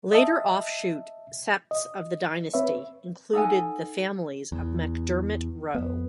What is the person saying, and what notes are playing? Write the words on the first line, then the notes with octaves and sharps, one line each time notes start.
Later offshoot septs of the dynasty included the families of MacDermot Roe.
D#5 E5 A5
D#5
C4 B4 C#5 E5
D#4 A4 F#5 G#5
E2
F2 B3